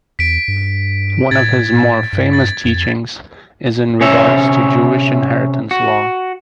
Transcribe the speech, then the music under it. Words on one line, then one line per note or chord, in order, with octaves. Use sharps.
One of his more famous teachings is in regards to Jewish Inheritance law.
E2 B6 D7
G2
A2 G#6 A6
G2
A6
F2
C3 C#4 C#5 E5
F#4